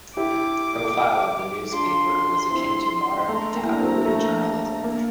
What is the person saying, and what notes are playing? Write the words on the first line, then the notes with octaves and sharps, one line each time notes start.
The profile of the newspaper was akin to modern tabloid journalism.
E4 G4 D6
D4 F4 C6
C4 E4
A3 A#5
A#3
E4
D4
A3 C4
A3
A#3